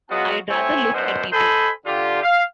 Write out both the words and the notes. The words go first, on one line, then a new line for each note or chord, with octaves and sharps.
I’d rather look at people.
F#3 G#3 B3 F4 F#4
A2 C4 E4 C#5 G#5
F#2 B2 B3 C5
A4 C5 D#5 G#5 B5
D3 F4 G4
F5